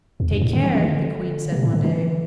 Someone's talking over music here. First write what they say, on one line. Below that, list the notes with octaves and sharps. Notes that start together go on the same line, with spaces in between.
"Take care," the Queen said one day.
E2
G2
A2
D3
E3
E3
D3
C3
A2
D3
E3